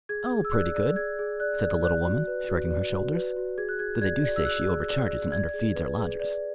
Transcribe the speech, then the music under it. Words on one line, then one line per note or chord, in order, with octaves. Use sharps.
"Oh, pretty good," said the little woman, shrugging her shoulders, "though they do say she overcharges and underfeeds her lodgers."
G#4 G#6
G#4
E6
D5 F#6
D5
G#4 G#6
G#4
D5 F#6
D5
D5 F#6
F#4
B4
F#4
D5
F#4
B4
F#4
G#4 G#6
F#6
G#4 G#6
D5 G#6
D5
E6
G#4 F#6
G#4
D5
D5
D5 G#6
G#4
B4
G#4
D5